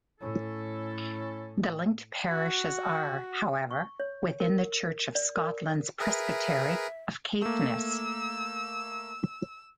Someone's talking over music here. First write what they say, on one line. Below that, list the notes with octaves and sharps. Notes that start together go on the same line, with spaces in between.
The linked parishes are, however, within the Church of Scotland's Presbytery of Caithness.
A2 C#4 E4 A4
F#4
C#6
C#5
A#4
D5
A#4
G#4 A#4 B4 E5
A3 A#3 E6